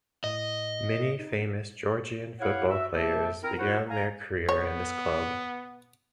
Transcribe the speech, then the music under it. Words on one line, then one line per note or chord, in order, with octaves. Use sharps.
Many famous Georgian football players began their career in this club.
A2 D#5
D#4
E4 G4 C#5 F5 F#5
F#4 E5
A#3 G4 G#4 C5 E5 A5
C4 E4 A#4
E4 F#4 A#4 C5 C#5 F#5
F5 G#5 A#5
B3 C#5